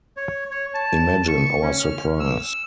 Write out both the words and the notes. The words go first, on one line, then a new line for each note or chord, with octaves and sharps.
Imagine our surprise.
C#5
C#5
A5
C#6
C#4
F6
E6